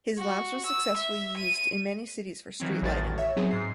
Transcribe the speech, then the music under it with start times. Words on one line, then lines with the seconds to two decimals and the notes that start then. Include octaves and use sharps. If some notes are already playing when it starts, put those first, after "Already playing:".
His lamps were successfully used in many cities for street lighting.
0.18 F#4
0.66 E6
0.97 E5
1.37 D#7
2.60 D#3 E3 F#3 C4
2.82 A1 E2 D#3 F#4 A6
3.18 C#5 E5
3.36 F#3 B3 C4 D#4 G#4
3.51 G#2 C7